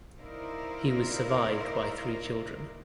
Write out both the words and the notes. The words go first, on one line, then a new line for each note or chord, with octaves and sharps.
He was survived by three children.
D#4 E4 A#4 C5 D5 F5